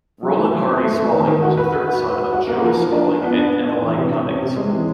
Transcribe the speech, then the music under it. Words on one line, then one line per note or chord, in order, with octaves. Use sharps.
Rolland Harty Spaulding was the third son of Jonas Spaulding and Emeline Cummings.
F#3
A3
F#3
C4
A3
A3
D#3
D#3
F#4
B4
B4
F#4
B4
B4
F#4
A#3
F3
F3
D4
F3
B3
D4
B3
D4
E3
C3
C3
C#4
C3
G#3
E3